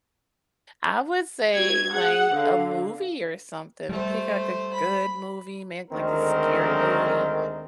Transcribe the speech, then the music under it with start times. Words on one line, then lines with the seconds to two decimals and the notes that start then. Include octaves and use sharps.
I would say, like, a movie or something. Pick, like, a good movie, ma like a scary movie,
1.56 F#4 G#6
1.93 G#4 F#5
2.34 D3 F5
3.89 G3 A3 C5
4.73 B5
5.90 D2 D3 D#3 G#3 C4 A#4